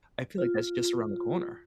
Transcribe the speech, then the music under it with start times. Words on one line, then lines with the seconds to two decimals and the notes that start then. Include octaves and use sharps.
I feel like that's just around the corner.
0.38 F4